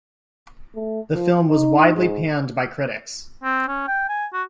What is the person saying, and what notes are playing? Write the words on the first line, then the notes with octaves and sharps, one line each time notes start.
The film was widely panned by critics.
A3
F3
D#4
G#2
C4
C#4
G5
G#5
F#4